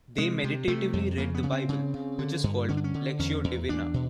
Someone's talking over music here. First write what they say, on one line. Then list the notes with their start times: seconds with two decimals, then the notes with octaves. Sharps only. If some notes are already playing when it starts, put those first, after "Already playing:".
They meditatively read the Bible, which is called Lectio Divina.
0.18 C3 G#3
0.44 C3
0.68 C3 A3
0.93 F2
1.18 C#3 A#3
1.35 B3
1.43 C#3
1.52 C4
1.69 C#3
1.94 C#3
2.19 D3
2.44 G2
2.69 D3 C#4
2.77 D4
2.84 C#4
2.94 D3
3.19 E2 C#4
3.44 E2
3.69 E2 D4
3.94 B2